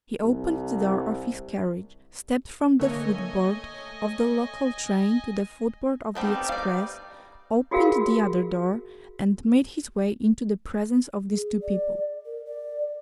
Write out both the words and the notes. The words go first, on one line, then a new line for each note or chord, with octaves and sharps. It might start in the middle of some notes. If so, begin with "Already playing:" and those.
He opened the door of his carriage, stepped from the footboard of the local train to the footboard of the express, opened the other door, and made his way into the presence of these two people.
C2
D3 A3 A#3 C#5 D#5 G#5
G3 A3 B3 C4 D#4
D5 F5
F4 F#4 G#4 A#4 F5
G#4
D5
A#4
D5